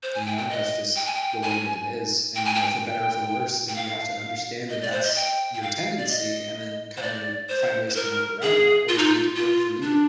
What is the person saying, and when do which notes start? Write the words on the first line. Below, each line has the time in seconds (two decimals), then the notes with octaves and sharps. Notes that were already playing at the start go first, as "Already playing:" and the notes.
You know, that's just the way that it is. And, you know, for better or for worse, then you have to understand that that's your tendency and then kinda find ways to work around that or to make it work for you
0.03 C5
0.14 G#5
0.26 G5
0.38 G5
0.50 D#5
0.96 G5
1.06 G#5
1.15 G5
1.43 G#5
2.36 G5
2.45 G#5
2.55 G5
3.68 G5
3.76 F5
4.69 D#5
4.81 D5
4.92 C5
5.04 D#5
5.16 G5
5.54 G5
5.62 F5
5.98 D5
6.09 D#5
6.97 C5
7.02 D5
7.49 C5
7.89 C5
7.95 A#4
8.42 G#4
8.89 F4
8.98 D#4
9.08 F4
9.35 F4
9.82 D4